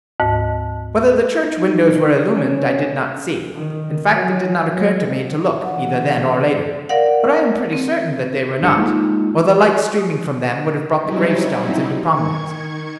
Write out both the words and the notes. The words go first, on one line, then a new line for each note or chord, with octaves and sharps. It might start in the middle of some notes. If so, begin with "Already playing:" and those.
Whether the church windows were illumined I did not see--in fact, it did not occur to me to look, either then or later--but I am pretty certain that they were not, or the light streaming from them would have brought the gravestones into prominence.
D2 G#2
D#4
C#4
D#3
F#3
F#3
D3 E3 F#5
A#4 D5 F5 F#5
C4
G1 G3 D4 A4 C#7
G#3 A#3 D#4 F4
C#6
D#6
F#3 G3 C4 C#4 D#4 E4
D#3 C#6 G#6